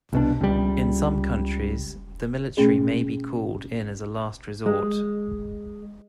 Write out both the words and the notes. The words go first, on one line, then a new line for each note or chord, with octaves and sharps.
In some countries, the military may be called in as a last resort.
C2 B2 D4
C#2 G3
B2 A3 C#4 G#4
G#3